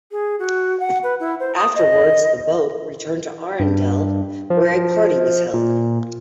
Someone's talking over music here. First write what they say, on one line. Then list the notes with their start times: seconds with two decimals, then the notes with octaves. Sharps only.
Afterwards, the boat returned to Arendelle where a party was held.
0.12 G#4
0.39 F#4
0.80 F#5
1.03 B4
1.20 E4
1.40 C5
1.56 D#6
1.75 D#5
3.60 G2
4.50 F3
5.54 A#2